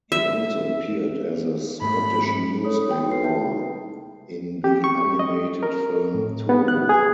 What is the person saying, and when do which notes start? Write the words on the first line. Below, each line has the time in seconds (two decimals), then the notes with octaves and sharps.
He also appeared as a Scottish news anchor in the animated film "Turbo".
0.12 E5
1.82 G#2 G#3 A3 B5
2.65 A4 C#5 D#6
2.87 D#4 F#4 G#4 G5
3.08 D#4 E4 B4 C7
3.23 E4 G#4 E5 G5 A5
4.64 G4
4.84 C#6
5.19 D#5
5.63 A#4
6.14 A2
6.49 B3
6.68 F#6
6.89 G#4